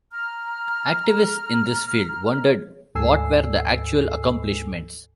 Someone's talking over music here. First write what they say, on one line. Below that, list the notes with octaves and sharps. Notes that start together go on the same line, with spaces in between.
Activists in this field wondered what were the actual accomplishments.
A#5 F6
D2 G#2 A4 G#5 E6 C7